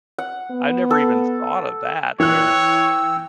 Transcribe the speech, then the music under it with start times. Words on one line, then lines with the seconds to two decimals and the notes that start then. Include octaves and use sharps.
I never even thought of that where
0.18 F#5
0.51 B3
0.91 A4
2.20 E3 C#5 G5 E6 F#6